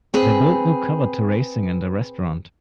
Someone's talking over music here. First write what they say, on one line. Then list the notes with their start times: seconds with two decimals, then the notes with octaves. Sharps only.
They built new covered terracing and a restaurant.
0.14 C4 G#4 B4